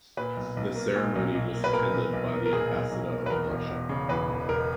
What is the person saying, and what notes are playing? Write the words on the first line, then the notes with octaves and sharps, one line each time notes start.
The ceremony was attended by the Ambassador of Russia.
A#2 B4
B1
B1
A#3
A#2
B1
B1
A#3
B4
A#2 A#4
B1
B1
A#3
A#4
A#2 G#4
B1
B1
A#3
B4
E2 A#4
E1
E1
C#3
E2 B4
E1
E1 A#4